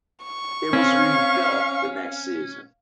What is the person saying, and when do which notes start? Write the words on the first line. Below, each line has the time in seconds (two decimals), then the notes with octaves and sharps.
It was rebuilt the next season.
0.24 C#6
0.73 C4 C#4 F5